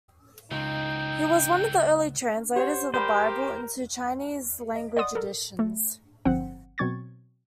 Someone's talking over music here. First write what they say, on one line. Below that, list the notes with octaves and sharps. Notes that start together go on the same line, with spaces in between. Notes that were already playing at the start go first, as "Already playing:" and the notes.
He was one of the early translators of the Bible into Chinese language editions.
C#2 E3 C4 D#4 G5
G4 C5 C#5 F#5
G4 A#4 C5 D5 B5
D#5
D5 D#5 F#5 C6 D#6
A4 A#4
A3
G1 F3 C4 C5 F#5
B2 F#3 C4 C#6 G#6 A6